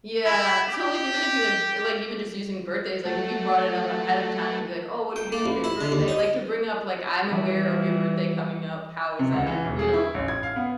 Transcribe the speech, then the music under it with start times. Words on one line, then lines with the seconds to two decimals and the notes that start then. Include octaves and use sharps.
Yeah, so, like, even if you, like, like, even just using birthdays, like, if you brought it up ahead of time, and be, like, "Oh, what are you doing for your birthday?" like, to bring up, like, "I'm aware of your birthday coming up, how is that?" you know.
0.24 E4
0.68 G4
3.05 F#3 A3
5.16 G5
5.32 A#3
5.46 A1
5.64 E4
5.81 D3
5.92 D#2
6.08 D#4
7.28 E3 G3
9.19 C3
9.32 C#2
9.46 E3
9.65 E1
9.79 G#4
9.93 E4
10.14 A1
10.28 G#6
10.43 F5
10.56 B3